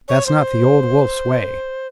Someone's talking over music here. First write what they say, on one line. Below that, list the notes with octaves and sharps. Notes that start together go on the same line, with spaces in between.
That's not the Old Wolf's way.
C#5
C5